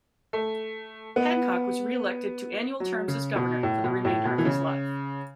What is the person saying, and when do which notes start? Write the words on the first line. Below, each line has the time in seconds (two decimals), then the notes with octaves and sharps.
Hancock was reelected to annual terms as governor for the remainder of his life.
0.33 A3
1.16 B3
2.80 F#3
3.08 C#3
3.36 B2
3.63 A2
3.84 B2
4.05 A2
4.25 B2
4.38 E3
4.45 C#3